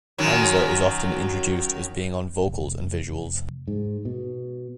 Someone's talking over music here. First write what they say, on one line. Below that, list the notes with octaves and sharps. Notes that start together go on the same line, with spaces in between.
Anza is often introduced as being on "vocals and visuals".
F#2 D#3 F#3
F1
G#2
B2